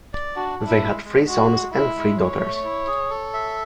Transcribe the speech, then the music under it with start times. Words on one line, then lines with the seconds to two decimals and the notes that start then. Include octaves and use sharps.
They had three sons and three daughters.
0.13 D5
0.36 D4 F#4
0.59 D4
0.66 E4
0.81 G#3
1.04 G#3
1.27 G#3 F#4
1.50 G#3
1.73 G#3 E4
1.96 G#3
2.19 E4 C#5
2.42 A3
2.64 E4
2.87 G#4
3.10 A4
3.33 E5